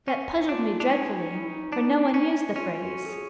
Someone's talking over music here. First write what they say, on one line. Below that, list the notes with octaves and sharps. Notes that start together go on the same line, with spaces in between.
That puzzled me dreadfully, for no one used the phrase.
C#4
D4 F4
D4 E4
C#4 D#4
D#4
E4
D#4
D4
C#4
C#4 F4
F#4
A4
G#4